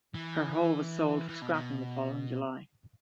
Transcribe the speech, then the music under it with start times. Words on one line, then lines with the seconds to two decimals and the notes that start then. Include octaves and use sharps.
Her hull was sold for scrapping the following July.
0.14 E3
1.29 E3
1.42 B2
1.54 B2